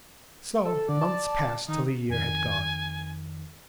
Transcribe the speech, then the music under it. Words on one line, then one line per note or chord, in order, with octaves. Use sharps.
So months passed till a year had gone.
A4
D3 D5
A5
D#3 D#4
F2 D#3 G#5